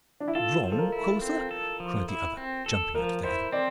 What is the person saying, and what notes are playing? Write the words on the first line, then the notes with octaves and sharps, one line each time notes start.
"Wrong, quotha?" cried the other, jumping out of the heather.
D4
E4
F4 A4
F3
A4
A#4
E4
C4
A4
F3
E4
C4
A4
F3 A#4
E4 C5
C4 D5